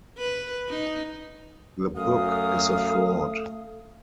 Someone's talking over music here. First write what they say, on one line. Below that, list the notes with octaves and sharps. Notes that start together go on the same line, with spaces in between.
The book is a fraud.
B4
D#4
F#2 A3 F5 D#6